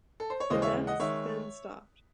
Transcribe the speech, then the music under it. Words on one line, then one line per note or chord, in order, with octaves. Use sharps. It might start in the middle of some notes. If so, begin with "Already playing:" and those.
The deaths then stopped.
A4
C5
C#5
D#2 C#3 E3 G#3 C5 D#5
C#5 E5
D#5 F#5
D#3 G#3 C#5 E5